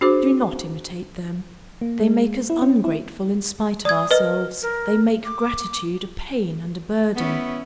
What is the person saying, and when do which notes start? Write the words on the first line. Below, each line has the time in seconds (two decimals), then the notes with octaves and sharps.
Do not imitate them: they make us ungrateful in spite of ourselves, they make gratitude a pain and a burden.
0.01 D4 F#4 G#4 C5 D6
1.81 A#3
2.00 G#3
2.50 E4
2.62 C#4
2.84 E4
3.85 D5 D#6 G#6
4.11 A#4 B4 D#5
4.62 A#4
5.25 D6
7.16 B3 C#4 E4